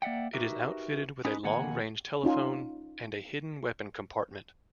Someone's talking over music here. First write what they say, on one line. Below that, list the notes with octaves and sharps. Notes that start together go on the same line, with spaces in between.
It is outfitted with a long-range telephone and a hidden weapon compartment.
A#3 D5 E5 F#5 G5
D#4 F#4 G4 A#4 B4 E5
C#4 D#4 B4
F2 B2 D#3 A#3 F#5 G#5
C#4 D#4 F4 G#5